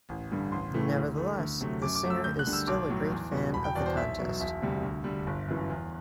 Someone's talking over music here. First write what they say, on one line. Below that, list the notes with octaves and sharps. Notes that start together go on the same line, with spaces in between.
Nevertheless, the singer is still a great fan of the contest.
A1
G2 D3 G3
A1 C6
A2 E3 A3
D2
D3 A3
D2
C3 F#3 A3
F#2 D6
D6
F#3 A3
E6
D2 G6
F#6
D3 G3
E6
B1 D6
A2 F#3
E2
B2 G3
E1 B5
G5
E2 B2 D5
C5
B1 E5
B2 F#3
E1 E5
D2 C3 G3
D2
D3 G3
G1
F#2 E3
E2